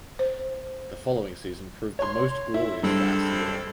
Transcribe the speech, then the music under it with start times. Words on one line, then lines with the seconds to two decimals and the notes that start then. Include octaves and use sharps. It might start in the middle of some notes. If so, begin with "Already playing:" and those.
The following season proved the most glorious for Aston Villa.
0.19 C5
1.99 C#5 C6
2.54 E4
2.83 G2 G#3 C4 A4